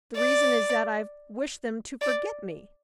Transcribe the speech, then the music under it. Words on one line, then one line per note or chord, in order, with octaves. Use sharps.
The reason is that I wish them to forget me.
D5
D5